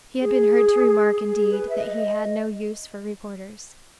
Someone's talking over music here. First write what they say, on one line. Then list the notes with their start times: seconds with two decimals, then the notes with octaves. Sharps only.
He had been heard to remark, indeed, that he had no use for reporters.
0.21 G#4
1.25 G#4
1.51 B4
1.69 E5
1.77 D#5